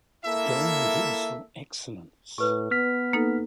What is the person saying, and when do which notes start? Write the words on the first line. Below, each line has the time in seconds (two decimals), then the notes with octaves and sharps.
Gold is for excellence.
0.25 A#3 E4 A4 E5
2.38 A2 B4 C#6
2.71 B3 F6 B6
3.13 A#3 D#4 A4